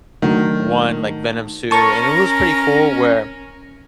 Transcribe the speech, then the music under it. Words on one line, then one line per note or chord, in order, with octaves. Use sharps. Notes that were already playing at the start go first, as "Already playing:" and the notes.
one, like, Venom suit, and it was pretty cool where
D#3 F#3 A3 D4
C#4 A#4 A5 C#6